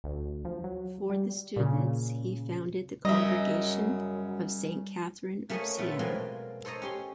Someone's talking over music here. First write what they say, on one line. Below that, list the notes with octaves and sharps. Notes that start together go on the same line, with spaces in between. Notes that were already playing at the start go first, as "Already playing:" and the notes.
For the students he founded the Congregation of Saint Catherine of Siena.
D2
F3
F#3
G3
A#2 C#3
F#2 C#3 F#3 G3 D#4 D#5 E5
A3 A#3 C#4 G#4 C#5 D#5
A#2 A3 B3 F4 A4 E5
B2 F3 F#3 G#3 A#3 C4
A4 C5 C#5 D#5 A#5
C#4 G4 C6